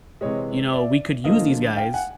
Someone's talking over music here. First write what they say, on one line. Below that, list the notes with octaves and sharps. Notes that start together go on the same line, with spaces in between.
you know, we could use these guys
C3 E3 G#3 C#5 D#5
D5 E5
D3 F3 A#3 D#5 F5
F5 G5
F#5 G#5